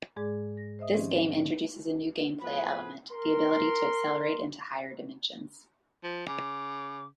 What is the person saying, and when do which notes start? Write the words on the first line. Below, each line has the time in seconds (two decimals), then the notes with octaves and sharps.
This game introduces a new gameplay element: the ability to accelerate into higher Dimensions.
0.16 G#2 G#3 G#4 D5 D6
0.57 A#6
0.79 C5 D#5 E5 D#6
0.94 D#3 F3 C4 C#4 D#4 G4
1.34 D3
2.42 A2 F3 B3 G#4 B4 B5
3.12 A#4 C6
6.03 F3
6.27 C#3 D6